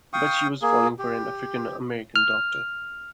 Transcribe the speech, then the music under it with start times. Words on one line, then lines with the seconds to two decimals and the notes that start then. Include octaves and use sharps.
But she was falling for an African-American doctor.
0.13 F5 G5 C#6 D#6
0.62 A#3 G#4
0.99 G4
2.16 F6